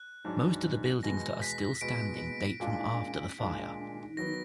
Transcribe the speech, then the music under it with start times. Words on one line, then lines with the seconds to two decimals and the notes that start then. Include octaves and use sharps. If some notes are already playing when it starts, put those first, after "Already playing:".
Most of the buildings that are still standing date from after the fire.
Already playing: F#6
0.25 G#2 F#3 D4
1.03 B2 G#3 B3 A#6
1.42 B6
1.81 B2 G#3 B3 D7
2.60 A#2 G#3 D4 F4
3.39 A#2 G#3 D4 F4
4.17 D#3 F#3 B3 A#6